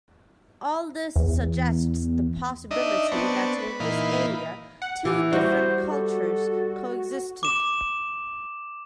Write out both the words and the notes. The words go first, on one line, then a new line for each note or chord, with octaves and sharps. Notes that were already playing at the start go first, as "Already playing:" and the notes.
All this suggests the possibility that in this area two different cultures coexisted.
E2
D4 D#4 D#5 E5
B3 C4 D4 A5 C#6
B4
A#2 E3 D#4 F5 B5
F#5
E3 G4
G3 F#4 C5
A4
D6 E7